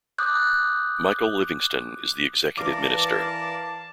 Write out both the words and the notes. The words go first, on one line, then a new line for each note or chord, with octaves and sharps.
Michael Livingston is the Executive Minister.
D6 D#6 F#6 G6
E3 A#4 D5 F5 A5 D6